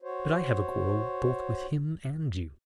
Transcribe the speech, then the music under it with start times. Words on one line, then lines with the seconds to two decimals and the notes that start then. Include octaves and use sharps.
But I have a quarrel both with him and you.
0.02 F#4 C5 C#5